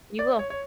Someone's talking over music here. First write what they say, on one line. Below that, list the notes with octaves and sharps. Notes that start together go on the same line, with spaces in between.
You will.
D5
C#5
C#5